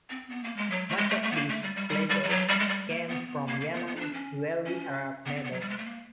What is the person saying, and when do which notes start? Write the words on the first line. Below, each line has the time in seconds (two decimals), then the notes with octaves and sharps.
Much of these pledges came from Yemen's wealthy Arab neighbors.
0.10 C4
0.30 B3
0.44 A#3
0.57 G#3
0.70 F#3
0.89 A3
0.97 G#3
1.10 A3
1.23 A3
1.32 B3
1.36 A#3
1.49 A3
1.63 G3
1.76 G3
1.89 G3
2.09 G3
2.23 G3
2.29 F#3
2.48 G3
2.59 G#3
2.69 G3
2.89 A#3
3.08 B3
3.47 A#3
3.61 A#3
3.74 B3
3.87 B3
3.96 D#4
4.01 D4
4.14 C#4
4.66 C#4
5.26 B3
5.35 C4
5.44 B3
5.53 F#3
5.61 G3
5.69 G#3
5.78 A3
5.86 A#3